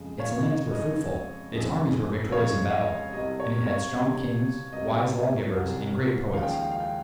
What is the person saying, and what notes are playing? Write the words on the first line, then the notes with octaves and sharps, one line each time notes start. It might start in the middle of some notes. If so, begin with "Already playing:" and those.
Its lands were fruitful; its armies were victorious in battle; and it had strong kings, wise lawgivers, and great poets.
Already playing: F2 C#3 G#3
C#5 F5
D#5
F2 C#3 G#3 D#5
F2 C#3 G#3
F2 C#3 G#3 C#5 F5
F5
D#5
C2 C3 G3 D#5
C#5
C#5 F5
C2 C3 G3 D#5
C2 C3 G3 D#5
C2 C3 G3
D#2 C#3 F3 G#3 F5
G5
F5
G5
F5
G5